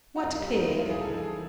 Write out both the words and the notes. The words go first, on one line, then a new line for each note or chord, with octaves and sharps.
"What pig?"
F#4
C2 F4
G3
G2 D#4
E4
G#3
F4
C2 G#4
A4
E3
A4
G#4